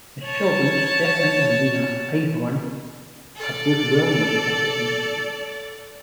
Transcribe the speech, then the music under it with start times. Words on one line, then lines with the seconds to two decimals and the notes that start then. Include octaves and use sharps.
His children, Stefan and Lena Einhorn, are both well-known authors in Sweden.
0.24 C#5 A5
3.35 A4 D5